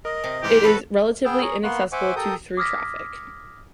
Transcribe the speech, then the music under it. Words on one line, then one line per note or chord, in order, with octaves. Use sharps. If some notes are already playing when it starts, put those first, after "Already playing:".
It is relatively inaccessible to through traffic.
A#4 D#5
C3
G#2 E3 G4
F#4 A4 B4 B5
B3 G#4 G5 E6 F6 G6
G#4 A#4 C#5
A#3 B3 C6 C#6 F#6
C5 E5 F#5 G#5 C#6 D6
G4 A4 A#4 D#6 G6
D6 D#6 F6 G#6 A#6 B6